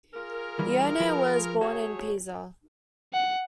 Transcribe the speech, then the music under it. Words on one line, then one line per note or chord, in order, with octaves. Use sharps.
Lione was born in Pisa.
F4 G#4 A#4
E3 G3
F3 B4
A3 F#4 G#4 C#5
F#5